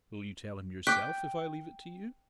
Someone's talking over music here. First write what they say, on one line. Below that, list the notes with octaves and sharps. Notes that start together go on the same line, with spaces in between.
"Will you tell him, yourself--if I leave it to you?"
G5 C#6 D6 F#6 B6